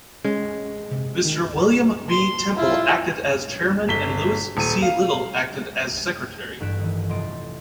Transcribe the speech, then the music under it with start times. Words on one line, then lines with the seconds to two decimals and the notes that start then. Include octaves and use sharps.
Mr. William B. Temple acted as Chairman and Lewis C. Little acted as Secretary.
0.24 G#3 C#4
0.91 C3
1.25 D#3
2.09 C6
2.56 E4 F4
3.88 G1 B6 G7
4.57 D#1 D#7
4.82 F5
6.60 A1 G2 F#6 B6 D7 E7
6.80 D#3 E3
7.09 F1 D#5 C6 A6 D7